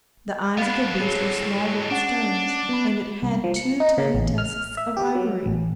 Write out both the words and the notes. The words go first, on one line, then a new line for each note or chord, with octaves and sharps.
The eyes of the beast were small red stones, and it had two tiny tusks of ivory.
B3 D4 F5 B5
A2 F#3 G#4 C#5
C#4 D4 F#5 A6
B3 B5
C2
F3
C#7
D#4
C#3
A1
F6
E5
G4
F#3
A1